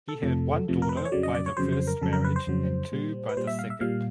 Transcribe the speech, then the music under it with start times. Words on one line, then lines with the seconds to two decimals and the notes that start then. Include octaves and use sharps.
He had one daughter by the first marriage and two by the second.
0.08 A4
0.22 F2 C3 F3 A3
0.68 F2 C3 F3 A3
0.82 A#4
0.89 B4
0.97 C5
1.05 C#5
1.12 F2 C#3 F#3 D5
1.23 D#5
1.35 D5
1.46 C#5
1.57 F2 C#3 F#3 C5
1.72 C5
1.87 A#4
2.02 F2 C#3 F#3 A4
2.13 A#4
2.24 B4
2.36 C5
2.47 F2 C#3 F#3
2.92 A#2 G3
3.29 B4
3.37 A#2 G3 C5
3.47 E5
3.59 F5
3.70 E5
3.81 A#2 G3 F5